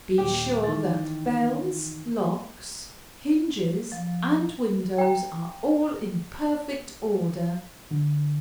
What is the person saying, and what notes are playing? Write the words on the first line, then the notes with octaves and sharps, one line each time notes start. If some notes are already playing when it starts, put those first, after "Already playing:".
Be sure that bells, locks, hinges, and windows, are all in perfect order.
D#1 G4
D#3 E3 A6
F3
G5 A#5
D3